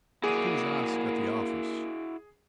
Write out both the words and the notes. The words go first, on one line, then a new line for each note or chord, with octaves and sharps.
"Please ask at the office."
A#3 E4 F#4 G#4 D5 D#7